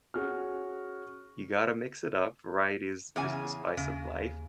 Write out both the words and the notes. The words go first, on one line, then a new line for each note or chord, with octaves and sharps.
you gotta mix it up, variety is is the spice of life,
C#4 F#4 G#4 F6
E2 C#3 G#5
D#2 C#3